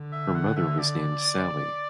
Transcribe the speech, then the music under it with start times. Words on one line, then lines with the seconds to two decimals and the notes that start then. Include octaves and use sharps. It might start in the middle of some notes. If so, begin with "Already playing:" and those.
Her mother was named Sally.
Already playing: D3
0.12 E5
0.35 F#5
0.56 E5
0.79 D5